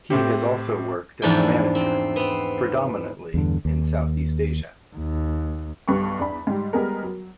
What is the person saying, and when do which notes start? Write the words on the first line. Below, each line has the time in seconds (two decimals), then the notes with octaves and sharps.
He has also worked as a manager, predominantly in south-east Asia.
0.10 A2 C4 G4
1.22 E2 G#2 F3 D4 E4 G5
1.75 C4
2.16 B3 C4
3.34 E2 G2 D3
3.65 D#2
4.96 D#2
5.88 B1 G2 G3 B4 C#6
6.19 E2 D4 B5
6.47 G#2 G3
6.73 G3 G#3 B3 G#4 A#4
7.03 F#3